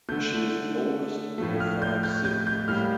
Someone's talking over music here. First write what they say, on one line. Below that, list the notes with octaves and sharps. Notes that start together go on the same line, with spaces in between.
She is the oldest of five siblings.
D3 A3 G6
A2 F3 A3
F6
G6
G6
G6
G6
A2 G3 A#3 F6